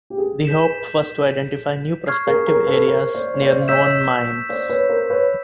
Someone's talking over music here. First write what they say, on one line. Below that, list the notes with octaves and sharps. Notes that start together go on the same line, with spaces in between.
The hope was to identify new prospective areas near known mines.
G4
G#4
G6 B6 E7
C#6 F6 G#6 C7
G#4 A#4
G#4 A#4
A4 B4
A#4 C5
C5 D5
C#5
C5 D5
E5
C#5 D#5 E6 G6 B6 E7
C5 D5
B4 C#5
A#4 C5
B4 C#5